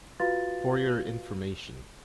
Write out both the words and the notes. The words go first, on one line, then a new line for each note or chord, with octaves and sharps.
For your information.
F4 F#4 B4 F5 C6 A6